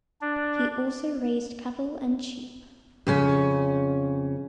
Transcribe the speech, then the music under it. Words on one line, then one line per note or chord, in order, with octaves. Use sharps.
He also raised cattle and sheep.
D4
F2 C#3 C#4